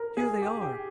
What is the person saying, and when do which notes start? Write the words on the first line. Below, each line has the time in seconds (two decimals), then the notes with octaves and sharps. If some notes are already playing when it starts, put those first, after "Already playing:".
Here they are.
Already playing: A#4
0.17 G#4
0.42 G4
0.61 G4